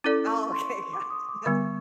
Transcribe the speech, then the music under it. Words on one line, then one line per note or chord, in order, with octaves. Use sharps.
oh okay, gotcha.
C#4 E4 A4 D5 D6
C#6
C6
D6
D#6
D6
D3 G3 B3 C#6